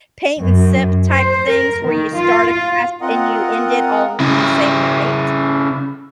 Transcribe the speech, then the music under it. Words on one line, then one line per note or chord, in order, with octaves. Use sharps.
paint and sip-type things where you start a class and you end it all in the same night,
F#2
C5
A#4
D#3
F4
F4
C4 F4 A#4 D#5 F#5
C#3 E4